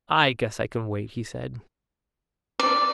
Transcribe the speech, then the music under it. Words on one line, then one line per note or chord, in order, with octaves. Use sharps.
"I guess I can wait," he said.
D5